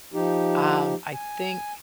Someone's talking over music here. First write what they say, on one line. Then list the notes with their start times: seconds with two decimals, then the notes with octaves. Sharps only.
i um, I think
0.14 F3 D#4 G4
1.13 G#5